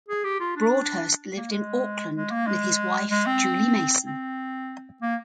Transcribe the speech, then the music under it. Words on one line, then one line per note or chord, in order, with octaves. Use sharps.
Broadhurst lived in Auckland with his wife Julie Mason.
G#4
G4
F4
D4
A#3
G#3
G#3
A#3
G#3
G#3
C4
C4
A#3